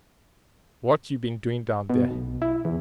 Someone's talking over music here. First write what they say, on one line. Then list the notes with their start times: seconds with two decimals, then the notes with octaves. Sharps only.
"What you been doing down there?"
1.90 B2
2.11 B1
2.42 E4
2.65 E2